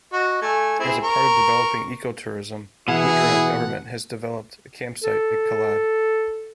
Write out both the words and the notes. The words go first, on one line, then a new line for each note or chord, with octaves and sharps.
As a part of developing ecotourism Gujarat Government has developed a campsite at Kilad.
F#4 D#5
A3 G#5
C4 E4 G#4
A#4 C#6
B2 E3 E4 G#4 F#5
A4